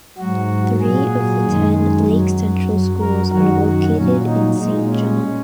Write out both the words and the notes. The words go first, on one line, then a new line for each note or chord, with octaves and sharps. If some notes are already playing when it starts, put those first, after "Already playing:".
Three of the ten Lake Central schools are located in Saint John.
G#2 F#3 F#4
A#2 F#3 G#4
F#2 D#3 G#3
F#2 F#3
F#2 F#3
A#4
F#2 D#3 F#3 F#4
F#4
A#2 F#3 C#4
D#4
A#2 G#3 D#4
C#4